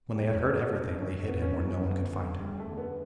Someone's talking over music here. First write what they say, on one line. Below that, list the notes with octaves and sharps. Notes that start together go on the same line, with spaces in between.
When they had heard everything, they hid him where no one could find him.
E1 G4
C#5
D2 C#3
F#4
A1 D4
G2 D3 C#4
G1 B3
C#4
G2 E3 B3
C#4
B3
G1
F#2 D3
F#1 G3
A3
E2 D3
B3